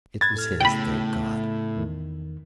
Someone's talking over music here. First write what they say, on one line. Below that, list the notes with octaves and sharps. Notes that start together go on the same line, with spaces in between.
It was his, thank God!
B5 F#6 G#6 A6
A2 A4 F6
A2 C#3 A3 B3 G5 B5
E2 D#3